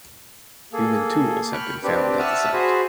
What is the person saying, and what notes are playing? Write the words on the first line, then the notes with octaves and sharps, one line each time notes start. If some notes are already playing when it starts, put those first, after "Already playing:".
Human tools have been found at the site.
A#3 G#4 A4
G5 B5 C#6 F6 F#6
C4 D4 G4 B4
E5 F#5 A5 C#6 D#6 F6
F#4 G#4 C5 B5